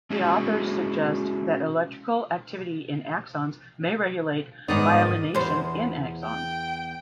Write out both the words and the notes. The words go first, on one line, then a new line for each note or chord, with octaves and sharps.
The authors suggest that electrical activity in axons may regulate myelination in axons.
G#3 C#4 E4 F#4 G#4
G#2 D#3 B3 D#4 D5 D#6
E2 C5
G5